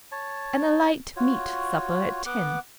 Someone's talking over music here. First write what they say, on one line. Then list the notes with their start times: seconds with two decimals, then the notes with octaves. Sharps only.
And a light meat supper at ten.
0.12 C#5 A5
1.16 F4 F#4 C#5
2.26 B3 F#5 D6